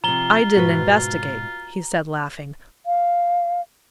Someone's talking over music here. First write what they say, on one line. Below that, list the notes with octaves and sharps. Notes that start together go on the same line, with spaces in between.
"I didn't investigate," he said, laughing.
C3 F3 F4 A#5 G7
G#2 B2 F#4 B4
F5